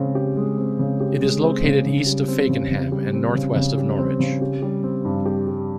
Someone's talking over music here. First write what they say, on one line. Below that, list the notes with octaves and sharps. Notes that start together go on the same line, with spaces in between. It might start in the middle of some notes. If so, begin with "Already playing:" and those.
It is located east of Fakenham and north-west of Norwich.
Already playing: C#3 G#3 C4
G4
G#3
C4
C#3
G4
G#3
C4
C#3
C#3
G3
C4
C#3
C#3
G3
C4
C#3
C#3
G3
C4
C#3
G4
G3
C4
G2
G4
G3